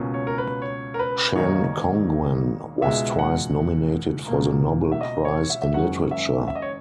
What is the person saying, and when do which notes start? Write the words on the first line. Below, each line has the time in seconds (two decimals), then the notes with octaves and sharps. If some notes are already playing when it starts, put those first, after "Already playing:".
Shen Congwen was twice nominated for the Nobel Prize in Literature.
Already playing: C#2 B2 A#3 C#4
0.14 C#5
0.27 A#4
0.38 B4
0.62 C#5
0.94 A#4
0.99 B4
1.36 E1 D#2 D#3 A#3 D#4 C#5
2.82 C#2 B2 G#3 D#4 E5
3.19 F#5
4.28 C#2 B2 A#3
4.92 E5
5.01 D#5
5.25 C#5
5.50 E5
5.62 E5
5.74 F#1 F#2 D#3 G#3 C#4 F#5
6.11 E5
6.48 E5
6.55 D#5
6.62 C#5